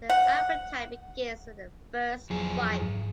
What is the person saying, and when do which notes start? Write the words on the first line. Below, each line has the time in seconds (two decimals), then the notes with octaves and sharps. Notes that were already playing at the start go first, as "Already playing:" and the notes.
The appetite begins with a first bite.
0.09 F#5
2.30 F2 F#3 G#4
2.81 G#2